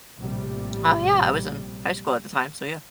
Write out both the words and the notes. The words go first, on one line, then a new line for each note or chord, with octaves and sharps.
Oh yeah, I was in high school at the time so, yeah.
A#1 A2 C3 G3